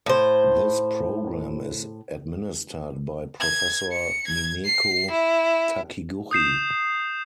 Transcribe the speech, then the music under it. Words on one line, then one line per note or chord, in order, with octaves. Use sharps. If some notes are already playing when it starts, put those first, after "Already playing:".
This program is administered by Professor Mineko Takiguchi.
A2 C5
G#6
C#7
G#6
C7
E4
D#6 G6 C7 E7